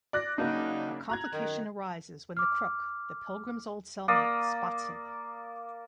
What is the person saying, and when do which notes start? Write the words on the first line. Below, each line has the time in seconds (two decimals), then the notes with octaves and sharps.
A complication arises when the crook, the Pilgrim's old cellmate, spots him.
0.13 D5 F#6 A#6
0.38 C#3 F#3 A#3 D4 D#4
1.09 A#5 F#6 G#6
1.33 F#2 D#3
2.37 D6 F6
4.08 A#3 D5 D#6